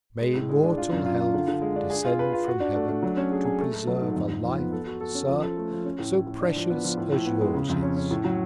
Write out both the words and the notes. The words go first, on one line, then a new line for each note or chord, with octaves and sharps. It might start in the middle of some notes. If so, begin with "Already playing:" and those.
May immortal Health descend from Heaven to preserve a Life, Sir, so precious as yours is.
G#3
A2
G#3
D4
F4
F#2
F4
F4
D3
D3
G#3
D4
G#4
F4
B4
F4
F#4
D4
A3
D4
F#3
C#4
G#4
G#4
A3
A3
F#3
G#2
F2
F2
F3
B3
A4
F#4
A4
C#4
F3
A4
A3
F3
C#4
A2
A2
A2
D4
F3
B3
F3
A2
A2
B3
G#3
C#3
F2
C#4
C#4
A2
F#3